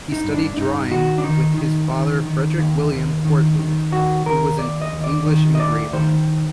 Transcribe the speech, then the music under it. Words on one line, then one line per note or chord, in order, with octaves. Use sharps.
He studied drawing with his father Frederick William Quartley, who was an English engraver.
D#4
G2
D4
G2 D#4
D#3 F#4
D4
D#3 D#4
D#3
D#3
D#3
D#2
D#2
D#3
D#3
D#2 F#4
D#2 A#4
D#2 D5
D#5
D#2
D5
D#3
D#5
D2 D5
D#3 C5